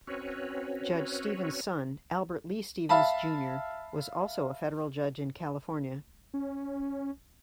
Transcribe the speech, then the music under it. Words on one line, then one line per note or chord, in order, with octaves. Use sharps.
Judge Stephens' son, Albert Lee Stephens Junior was also a federal judge in California.
C4 C#4 F#4 B4 C#5
E5 F5 A5 B5
C#4